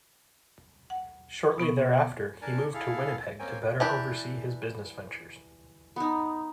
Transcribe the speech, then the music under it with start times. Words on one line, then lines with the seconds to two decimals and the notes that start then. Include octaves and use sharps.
Shortly thereafter, he moved to Winnipeg to better oversee his business ventures.
0.90 F#5
1.58 B2 B3 B4 C#6
2.42 D4 A#4 G#5 A5
2.74 E4 G#4 A4 F5
3.39 A#3 C4 C#4 G5 G#5
3.80 E3 D4 G4
5.96 B3 D#4